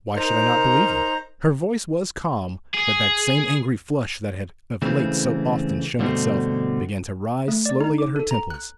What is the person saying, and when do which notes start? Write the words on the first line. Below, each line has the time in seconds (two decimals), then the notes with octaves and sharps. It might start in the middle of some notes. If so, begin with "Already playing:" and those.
"Why should I not believe you?" Her voice was calm, but that same angry flush that had of late so often shown itself began to rise slowly at her temples.
0.16 D#4 A#4 C5 A#5
2.74 G#4
4.82 C#3 E3 G#3 A3 C4
5.99 G2 B2 D3 G3 A3 C4
7.48 A3
7.66 D5
7.81 D#4
7.98 D6
8.16 A4
8.31 A#5
8.50 F#6